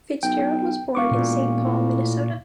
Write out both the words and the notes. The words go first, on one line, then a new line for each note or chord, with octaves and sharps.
Fitzgerald was born in Saint Paul, Minnesota.
B1 G5
E1 F5 C#6 D6
A#2
A2